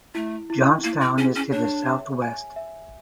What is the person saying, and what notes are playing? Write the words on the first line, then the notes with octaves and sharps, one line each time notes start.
Johnstown is to the southwest.
A3 E4
E4
A#3 E4
C4
C#4 G#4
C#4
D4 C#5
E5
G#5
E5